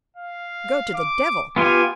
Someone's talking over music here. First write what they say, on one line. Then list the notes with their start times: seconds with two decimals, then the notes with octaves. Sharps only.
Go to the devil!
0.16 F5
0.94 D6
1.56 B3 F4 G4 G#5